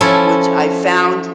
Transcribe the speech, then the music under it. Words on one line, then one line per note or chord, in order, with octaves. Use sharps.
which I found
F3 C#4 E4 A4